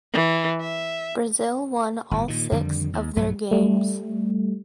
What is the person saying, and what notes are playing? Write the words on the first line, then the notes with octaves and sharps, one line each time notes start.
Brazil won all six of their games.
E3
E5
G1 A2
A#2 D#3
F2 D3 D#3 G3
D#2
B1 G2 F#3 A3
G3 A3